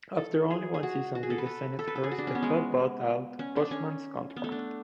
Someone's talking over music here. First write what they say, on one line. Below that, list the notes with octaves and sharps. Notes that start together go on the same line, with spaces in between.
After only one season with the Senators, the club bought out Boschman's contract.
A4
G#4
G#4
F#4
F#4
G#4
A4
B4
A4
A4
B4
A4
G#4
F#4
D4
C#4
B3
G#3
C#4
D4
C#4
B3
A3
D4